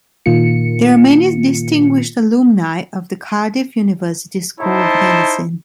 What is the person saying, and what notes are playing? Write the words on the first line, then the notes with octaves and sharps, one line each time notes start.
There are many distinguished alumni of the Cardiff University School of Medicine.
A#2 D#3 A#3 F4 C#7
D#4 E4 C5 A5